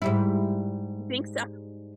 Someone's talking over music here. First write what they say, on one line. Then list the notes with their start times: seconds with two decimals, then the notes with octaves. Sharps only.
You think so?
0.02 G#2 G3 E4